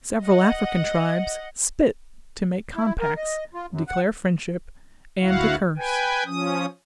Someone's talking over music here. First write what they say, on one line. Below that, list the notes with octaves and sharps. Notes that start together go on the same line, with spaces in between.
Several African tribes spit to make compacts, declare friendship, and to curse.
D#5 F#5
E4
A#4
D#5
F4
F#2
F#5
D2 E4 F#4 F5 F#5
B4 G5 G#5
F3 C#4 D#6